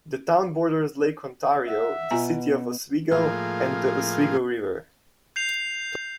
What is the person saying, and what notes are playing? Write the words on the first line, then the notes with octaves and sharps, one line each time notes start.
The town borders Lake Ontario, the City of Oswego, and the Oswego River.
E5 F#5
B2 F4 G#5 A#5
A2 F3 A#3 F4 G#4
G6 C7 F7